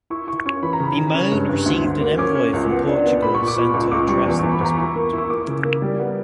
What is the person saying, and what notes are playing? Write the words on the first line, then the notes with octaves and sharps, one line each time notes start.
Bemoim received an envoy from Portugal sent to address the dispute.
E4 C#6
E4 C#6
C#4 C#6
E3 B5
A#5
C#3 B5
C#3
C#4
G2
G2
D2
D2
A#3
C#4 D6
C#4
C#2
B3
D4
B3
A#2 B5
C#6
A#2
D6
A#2 C#6
C#2 C#6
C#2 D6
G3 C#6
E2
E2 C#6
B5
E2 A#5
E4 C#6
A#3
E4
C#6
A#3 D6
C#3
A#3
G3
B3